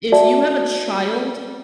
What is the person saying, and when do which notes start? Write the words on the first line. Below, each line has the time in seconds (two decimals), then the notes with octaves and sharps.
If you have a child
0.12 F#4 D5 E5 A5